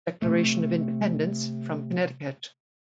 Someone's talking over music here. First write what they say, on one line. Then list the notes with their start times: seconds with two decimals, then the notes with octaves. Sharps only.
Declaration of Independence from Connecticut.
0.22 C3 A3